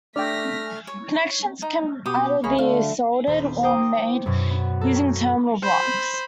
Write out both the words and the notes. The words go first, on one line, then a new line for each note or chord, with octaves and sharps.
Connections can either be soldered, or made using terminal blocks.
A3 D4 D5 E5 G5 F6 A#6 B6
C#5
D#4
B2 G4 D#6
D2 A#3 G#4 C#5 B5
D2 D3 A3 F5
D#1 C5 B5
A#4 C5 G5 D6 D#6
F#2 B2 C#4
B3
A4 A#4 C#5
C5 B5